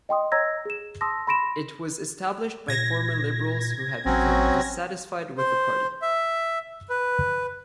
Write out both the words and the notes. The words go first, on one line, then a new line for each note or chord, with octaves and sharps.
It was established by former Liberals who had become dissatisfied with the party.
D#5 G5 C6 D#6
C#5 D#5 A#5 E6 G#6 A#6
G#4 E7
A5 C6 D#6 E6 A#6
B5 C6 A#6 D7 E7
A#2 G#6 A#6
A1 F#3 C4 C#4
C5
E5
B4